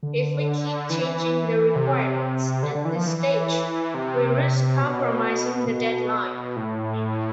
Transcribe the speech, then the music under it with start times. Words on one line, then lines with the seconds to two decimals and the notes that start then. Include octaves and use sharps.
If we keep changing the requirements at this stage, we risk compromising the deadline.
0.03 D3
0.90 E3
1.76 C3
2.63 D3
2.75 D3
2.85 E3
2.96 F3
3.07 E3
3.94 C3
4.81 B2
5.68 B2
6.56 A2